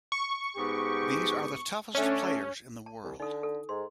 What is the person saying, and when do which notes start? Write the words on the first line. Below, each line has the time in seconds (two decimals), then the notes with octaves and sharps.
These are the toughest players in the world.
0.12 C#6
0.56 G#2 B3 G4
1.95 D3 A3 C#4 D4
2.86 A5
3.04 C2
3.20 D3 D#4 A4
3.43 A4
3.69 G#2 C6